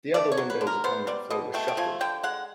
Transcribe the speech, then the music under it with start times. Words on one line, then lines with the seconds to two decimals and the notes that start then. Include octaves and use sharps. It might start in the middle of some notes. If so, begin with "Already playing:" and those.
The other windows upon that floor were shuttered.
0.14 A3 D5
0.32 C#5
0.37 F#3
0.50 B4
0.61 D3
0.67 A#4
0.84 B3 C5
1.07 G3 D5
1.30 B2 D#5
1.54 A3 G5
1.68 G5
1.77 F3 G#5
2.01 D3 G5
2.23 G#3 F#5